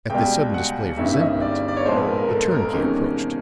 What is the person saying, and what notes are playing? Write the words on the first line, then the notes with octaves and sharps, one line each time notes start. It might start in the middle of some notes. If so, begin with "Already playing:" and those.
At this sudden display of resentment, the turnkey approached.
C#2 B2 G3 G5
F#5
G1 G2 D#3 G#3 C#4 E5
E5
D#5
D5
D5
C#5
A#1 G#2 F3 G#3 C4 C5
B4
A#4
A#4
A4
A4
A#4
A#4
E2 C3 D#3 G#3 C#4